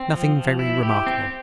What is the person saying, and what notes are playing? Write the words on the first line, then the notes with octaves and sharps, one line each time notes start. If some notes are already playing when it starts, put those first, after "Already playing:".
Nothing very remarkable.
Already playing: C4
F3
F3
E4
G4
C4